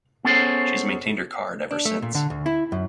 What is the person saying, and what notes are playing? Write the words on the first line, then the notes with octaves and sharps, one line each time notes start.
She has maintained her card ever since.
B3 C#4 G#4 A4 C5 C#5
D4
A3
A#2
D3
D2
E4
F#2